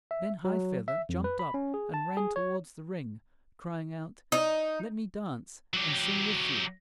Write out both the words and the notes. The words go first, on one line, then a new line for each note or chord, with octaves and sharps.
Then High-feather jumped up and ran towards the ring, crying out, "Let me dance and sing with you!"
E5
F#3
E5
F2
B4
B5
C#4
G#4
A5
G#4
C#5
D#4
F#3 G4